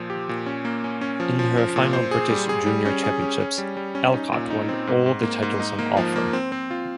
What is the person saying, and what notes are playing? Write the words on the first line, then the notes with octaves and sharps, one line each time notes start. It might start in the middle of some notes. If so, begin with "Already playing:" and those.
In her final British Junior Championships, Alcott won all the titles on offer.
Already playing: A#2 F3
G4
A#2
C#4
A#3
C#4
C#4
F3
F3
F3
A#2
C5
G#4
G3
G#4
G3
C#4
G#4
C#4
C#4
G3
G3
C#4
D#4
A#2
D#4
C4
G#2
G#2
A#3
G#2
D#4
A#3
F3
A#3
C4
C4
F4